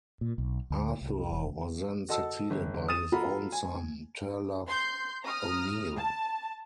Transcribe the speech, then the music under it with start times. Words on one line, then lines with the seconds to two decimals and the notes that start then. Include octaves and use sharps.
Arthur was then succeeded by his own son, Turlough O'Neill.
0.21 A#2
0.38 B1
0.70 D2
1.01 C2
1.32 E1
2.09 F#4 A4 D#5 A5 E6
2.50 G1
2.89 D#6 A6 D#7 E7
3.12 F4 F#4 A4 A#5 B5
3.52 G#5
4.67 C6 G6
5.22 A#5 D#6 F6
5.97 A5